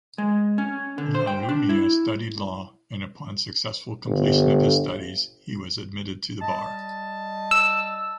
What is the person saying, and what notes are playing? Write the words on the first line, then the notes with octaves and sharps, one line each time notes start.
La Lumia studied law, and upon successful completion of his studies, he was admitted to the bar.
G#3
C#4
D3
C5
G5
D4
E4
G1
G3 D#5 A5
E6